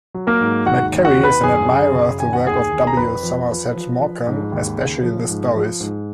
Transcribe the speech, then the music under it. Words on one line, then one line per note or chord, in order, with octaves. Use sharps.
McCarry is an admirer of the work of W. Somerset Maugham, especially the stories.
F#3
A#3 A#4
G#2
D#2 F#4 F#5
D#2
F#4 F#5
D#2
B4 B5
F#2 G#4 G#5
C#3
F#2
D#3 G#5
F#5
D#2 G#4 G#5
D#2
A#5
F2 B4 B5
F3
F3
F3
F3
G#2
D#2
C#3
F3
G#2
F3
G#2